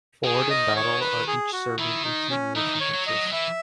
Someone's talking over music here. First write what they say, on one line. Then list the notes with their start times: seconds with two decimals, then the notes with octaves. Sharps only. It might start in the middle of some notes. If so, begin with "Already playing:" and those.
Ford and Battle are each serving eighteen-year sentences.
0.24 D#3 G#4
0.50 D#5
0.76 C#5
1.01 B4
1.28 G#4
1.53 F#4
1.79 D#3 E4
2.04 D#4
2.30 C#4
2.56 E3 D#4
2.67 E3
2.74 D#3
2.81 C#5
2.94 F#3
3.07 D#5
3.13 F#3
3.27 F#3
3.32 E3 E5